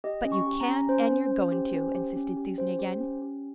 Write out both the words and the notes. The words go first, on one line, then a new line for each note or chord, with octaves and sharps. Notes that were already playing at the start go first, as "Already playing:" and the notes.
"But you can, an' you're goin' to," insisted Susan again.
G4 D#5
C#4
C#6
G4
A#5
C#4
C#4 C5
C#4
C#4
G4
C#4
G4
C#4
G4
C#4 C5
G4
C#4
G4